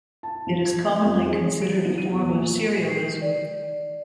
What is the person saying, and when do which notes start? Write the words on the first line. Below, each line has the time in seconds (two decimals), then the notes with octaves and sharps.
It is commonly considered a form of serialism.
0.23 A5
0.47 F3
0.66 G#6
0.79 G#6
1.04 F2
1.25 G#4
1.40 C#5
1.61 D7
1.85 F#3
1.98 D#7
2.12 E2
2.27 A#2
2.90 C7
3.22 D5